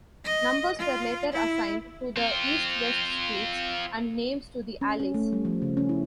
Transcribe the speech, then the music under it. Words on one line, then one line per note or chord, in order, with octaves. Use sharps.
Numbers were later assigned to the east-west streets and names to the alleys.
D#5
F4
E4
C4 F4
C#4
C#4
A3
G3
F3
C#3
C#4
E4